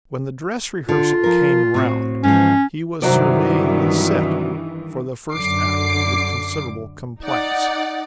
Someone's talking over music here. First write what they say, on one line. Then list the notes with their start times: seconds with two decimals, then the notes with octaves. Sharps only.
When the dress rehearsal came round, he was surveying the "set" for the first act with considerable complacence.
0.89 D3 F4
1.24 F3 A#4
1.74 A2 C4 F#4
2.24 G#2 E3 F3 C#4
3.02 G2 C3 D#3 E3 F#3 D5
5.33 F#2 D3 D6 C7
7.22 D#4 D5 F#5